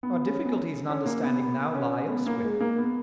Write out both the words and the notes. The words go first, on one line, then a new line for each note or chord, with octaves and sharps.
Our difficulties in understanding now lie elsewhere.
B3
C#4
B3
C#4
C#4
A#3
B3
B3
C#4
B3
A#3
G#3
A#3
B3